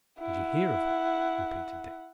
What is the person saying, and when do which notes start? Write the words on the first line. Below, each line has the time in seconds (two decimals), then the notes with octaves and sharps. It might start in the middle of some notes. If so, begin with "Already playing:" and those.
"Did ye hear of her?" repeated Dick.
0.19 E4 F#5